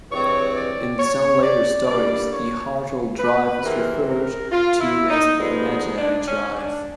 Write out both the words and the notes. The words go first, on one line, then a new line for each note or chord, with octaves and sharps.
In some later stories the Haertel drive is referred to as the "Imaginary drive".
G2 E3 G#3 C4 C#5
D5
C#5
D5
D3 G3 A#3 D5
C#5
B4
C3 E3 G#3 C4 A#4
A#4
F4
E4
D#4
G2 D3 F3 G#3 B3 D#4
D#4
D4
C#4
D4